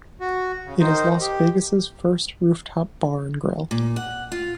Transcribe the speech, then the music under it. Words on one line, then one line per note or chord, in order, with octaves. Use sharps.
It is Las Vegas' first rooftop bar and grill.
F#4
C#3
D#3 D#4 C5
G4
A#2
F#5
F4